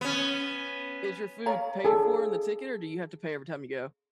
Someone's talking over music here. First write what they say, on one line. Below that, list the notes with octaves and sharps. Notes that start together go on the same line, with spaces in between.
Is your food paid for in the ticket, or do you have to pay every time you go?
B3 C#4
C#5 F5 A#5
G#4 A4